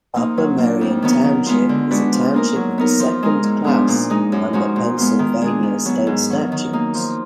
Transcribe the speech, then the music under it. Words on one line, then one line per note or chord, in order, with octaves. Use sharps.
Upper Merion Township is a township of the second class under Pennsylvania state statutes.
F3 A#3 D#4
F#3
A#3
D4
F2
D#3 F#3 B3 D#4
D#3
G#3 B3 F4
D3
G#3 D4 F#4 B4
F3
A#3 D#4 A#4
F#3
B3 D#4 A#4
F3
G#3 D#4 A#4
G#2
F3 G#3 B3 D4
A#2
G#3 D#4
F#2
F3 G#3 D#4 F#4
A#2
G#3 B3 F4
D#3
G#3 D4 G#4
D#3
F#3 B3
G#2
D#3 F#3
D#3
A#3 D#4
F3